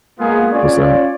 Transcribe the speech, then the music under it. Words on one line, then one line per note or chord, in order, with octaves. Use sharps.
What's that?
G#3 A#3 B3 F4 G#4
C#4 F4 C#5 D5